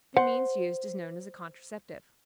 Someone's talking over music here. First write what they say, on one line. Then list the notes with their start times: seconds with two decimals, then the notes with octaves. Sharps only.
The means used is known as a contraceptive.
0.17 C5 F#5